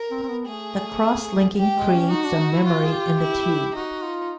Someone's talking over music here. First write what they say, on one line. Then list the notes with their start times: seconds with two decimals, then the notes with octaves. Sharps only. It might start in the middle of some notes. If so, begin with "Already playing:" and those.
The cross-linking creates a memory in the tube.
Already playing: A#4
0.11 C4
0.23 C4
0.28 B3
0.47 A3 G#4
1.56 G4
1.75 G#3
1.93 C#4
2.11 D#4 F#4
2.24 D4
2.38 D#4
2.52 E4
2.66 F4 F#4
2.85 G#4
2.93 G4
3.21 E4
3.75 D#4 F#4
4.03 F4